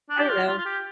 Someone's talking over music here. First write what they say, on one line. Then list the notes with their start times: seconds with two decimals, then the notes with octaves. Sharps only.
I don't know.
0.10 D4
0.19 G4
0.29 F4
0.47 F4
0.58 F4
0.66 G4